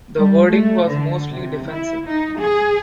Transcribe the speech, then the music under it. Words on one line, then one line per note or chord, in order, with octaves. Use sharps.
The wording was mostly defensive.
G3
A3
D3
C3
E4
D#4
G#4